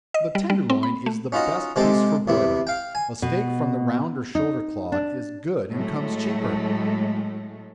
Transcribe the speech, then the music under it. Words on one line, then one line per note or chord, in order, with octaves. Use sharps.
The tender loin is the best piece for broiling--a steak from the round or shoulder clod is good and comes cheaper.
D#5
G3
G3
C4
B5
A3
C#4 D#4 F4 F#4 D#5
C3 G#3 C4 G4 A4
E2 C3 E4
F5 G5
G#5
B2
D#4
D4
A2 F#3 G#3 A3